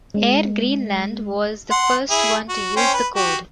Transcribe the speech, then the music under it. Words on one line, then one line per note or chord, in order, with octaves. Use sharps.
Air Greenland was the first one to use the code.
G#3
F#5 C6
E4 G#4
F#4
C#4 C5 G5
B4
F#4 G4